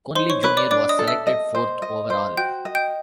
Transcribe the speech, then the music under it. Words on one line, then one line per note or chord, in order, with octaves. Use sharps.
Conley Junior was selected fourth overall.
D#4 C5 C6
C#5 C#6
B4 C#5 C#6
D5 D6
D4 D5 D6
D#5 D#6
A4
E5 E6
D#5
C5
D#5
C5
F#4 G5 G6
D#5
G5 G6